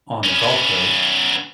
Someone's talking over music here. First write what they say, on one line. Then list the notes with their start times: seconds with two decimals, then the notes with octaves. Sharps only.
on the Gulf Coast,
0.24 B3 C#4